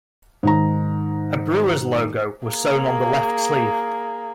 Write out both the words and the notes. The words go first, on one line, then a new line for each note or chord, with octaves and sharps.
A Brewers logo was sewn on the left sleeve.
G#2 D#3 A#5
A#3 G#4